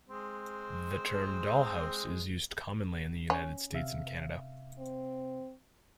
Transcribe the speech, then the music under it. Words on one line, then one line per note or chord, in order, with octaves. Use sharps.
The term "dollhouse" is used commonly in the United States and Canada.
G#3 C4
C#4
C3 E5 F5
C4